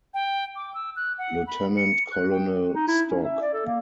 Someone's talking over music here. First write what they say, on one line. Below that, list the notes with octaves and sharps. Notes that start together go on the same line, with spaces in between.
Lieutenant Colonel stock.
G5
D6
E6
F#6
F#5
B5
C#7
F#6
G5
D#4
E4
C#4
E5
D5
A4
A#3